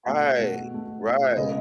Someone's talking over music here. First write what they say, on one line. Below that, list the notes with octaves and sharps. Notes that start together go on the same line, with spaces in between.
Right, right.
B2 A3 F#5
B2 A3
B2 A3
B2 A3
C#3 G#3 B3 D#5